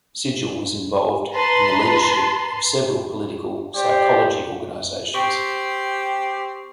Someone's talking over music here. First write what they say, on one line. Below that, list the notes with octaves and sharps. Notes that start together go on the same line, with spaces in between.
Sigel was involved in the leadership of several political psychology organizations.
B4 A5 A#5 C6
G4 C5 D5
C4 G4 C#6